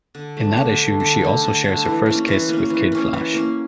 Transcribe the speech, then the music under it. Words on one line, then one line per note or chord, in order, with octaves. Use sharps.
In that issue she also shares her first kiss with Kid Flash.
D3
A3 D4
D3
A3 D4
D3
A3 D4
D3
A3 D4
E3
A#3 C#4
E3
A#3 C#4
E3
A#3 C#4
E3
A#3 C#4